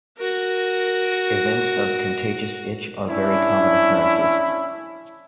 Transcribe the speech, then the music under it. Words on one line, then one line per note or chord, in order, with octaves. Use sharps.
Events of "contagious itch" are very common occurrences.
F#4 A#4
C#4 D4 E4